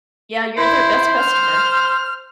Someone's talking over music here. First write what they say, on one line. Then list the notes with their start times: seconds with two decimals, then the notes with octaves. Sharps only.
Yeah, you're their best customer.
0.58 E4 C5
1.18 F6